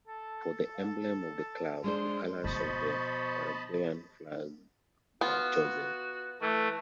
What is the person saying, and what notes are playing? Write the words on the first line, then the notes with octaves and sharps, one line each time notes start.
For the emblem of the club, the colors of the Paraguayan flag were chosen.
A4
G#3 D4 C5 C6
B2 F3 B3 C5 D#5 A5 B5 C#6
B3 F4 F#4
E3 A3